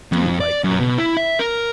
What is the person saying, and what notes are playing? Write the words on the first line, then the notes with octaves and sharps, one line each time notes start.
"Do you like me?"
F2
D5
F#2
B2
E4
E5
A#4